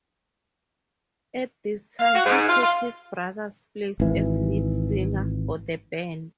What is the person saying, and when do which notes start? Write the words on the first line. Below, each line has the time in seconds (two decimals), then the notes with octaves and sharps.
At this time, he took his brother's place as lead singer for the band.
1.99 F5
2.13 F#4
2.25 G#2
2.48 F4
2.62 F4
4.00 G#1 E3